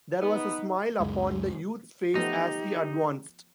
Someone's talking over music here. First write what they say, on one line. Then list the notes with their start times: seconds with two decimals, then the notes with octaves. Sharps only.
There was a smile upon the youth’s face as he advanced.
0.21 B3 D#4
1.00 C#2 F#2 G#3
2.15 F3 A3 B3 D#4 G4